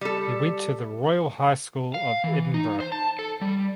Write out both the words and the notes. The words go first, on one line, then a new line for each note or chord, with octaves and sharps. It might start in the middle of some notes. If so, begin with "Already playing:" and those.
He went to the Royal High School of Edinburgh.
G3 A4
F5
E3
D#4
C5
A5
A4
G3